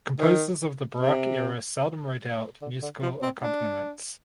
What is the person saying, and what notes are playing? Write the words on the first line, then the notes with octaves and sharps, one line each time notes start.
Composers of the Baroque era seldom wrote out musical accompaniments.
D#3
C3
D3
D3
F3
C4
D4